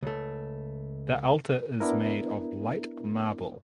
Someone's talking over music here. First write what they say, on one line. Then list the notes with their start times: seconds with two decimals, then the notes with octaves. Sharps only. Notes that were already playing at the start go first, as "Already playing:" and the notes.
The altar is made of light marble.
0.03 C#2 A3
1.80 B3 D4 E4 A#4